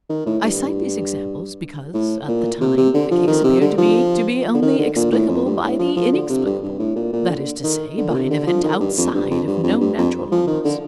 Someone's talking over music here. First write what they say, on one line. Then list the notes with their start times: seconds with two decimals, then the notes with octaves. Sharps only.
I cite these examples because, at the time, the case appeared to me to be only explicable by the inexplicable,--that is to say, by an event outside of known natural laws.
0.10 D#3
0.26 A2
0.44 G2
1.94 A2
2.28 A#2
2.61 C3
2.77 C3
2.94 D3
3.11 F3
3.27 D#3
3.44 C3
3.61 D3
3.78 F3
4.54 D3
4.62 D#3
4.79 D3
4.96 A#2
5.12 A2
5.28 F2
5.45 G2
5.63 A2
5.79 F3
5.96 F3
6.13 D3
6.30 C3
6.46 G2
6.63 G2
6.80 A2
6.96 A#2
7.13 A#2
7.29 D3
7.64 D#3
7.97 D3
8.10 A#2
8.14 C3
8.31 D3
8.47 F3
8.64 D#3
8.80 G2
8.98 F2
9.14 G2
9.30 F2
9.47 G2
9.64 F2
9.81 G2
9.98 F2
10.32 F3
10.47 D#3
10.65 D3